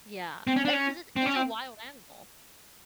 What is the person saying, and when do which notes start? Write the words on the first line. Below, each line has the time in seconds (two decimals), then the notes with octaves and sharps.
Yeah. Eh, because it it's a wild animal.
0.47 C4
0.56 C#4
0.65 D4
0.73 C#4
1.16 C4
1.26 C#4
1.36 C4